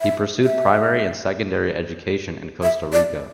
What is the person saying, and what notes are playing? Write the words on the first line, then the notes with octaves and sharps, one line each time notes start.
He pursued primary and secondary education in Costa Rica.
E5
E5
E5
D5